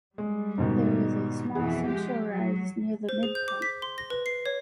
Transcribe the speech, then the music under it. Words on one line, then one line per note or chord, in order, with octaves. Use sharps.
There is a small central rise near the midpoint.
G3 G#3
G#2 B2 D#3
F2 B2 E3 G#4 F#5
G#3 G4
F#3
C5
G#4
G6
D6
B6
C6
A#6
B4
C7
C#5